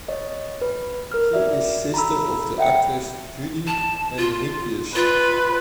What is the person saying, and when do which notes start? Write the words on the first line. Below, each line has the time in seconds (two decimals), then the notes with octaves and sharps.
She is sister of the actress Judy Henríquez.
0.08 C#5 D#5
0.62 B4
1.12 A#4 F6
1.33 F#4 D5 E5
1.94 A#5 B5 E6
2.58 E5 F#5 G5 C#7
3.67 A5
4.17 F4
4.95 F4 B4